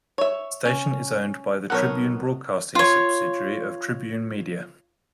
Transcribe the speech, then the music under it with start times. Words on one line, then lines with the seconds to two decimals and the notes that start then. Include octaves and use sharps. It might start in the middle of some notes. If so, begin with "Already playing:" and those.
The station is owned by the Tribune Broadcasting subsidiary of Tribune Media.
0.18 C#5 E5
0.65 C#4
1.70 B1 B3 A4 A#4 C#5 F#5
2.75 F4 C#5